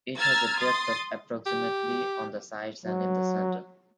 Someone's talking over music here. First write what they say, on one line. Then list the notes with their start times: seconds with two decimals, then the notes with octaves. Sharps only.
It has a depth of approximately on the sides and in the center.
0.18 A#5 E6 F6 G#6 A6
0.57 C6 D#6 A6
1.46 G4
2.85 F#3